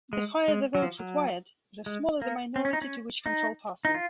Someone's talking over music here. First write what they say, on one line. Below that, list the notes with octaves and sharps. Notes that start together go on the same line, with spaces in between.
The higher the vote required, the smaller the minority to which control passes.
G#3
G#3
F#3
F3
F#3
G#3
A#3
C4
C#4
D#4
C#4
D#4
D#4
F4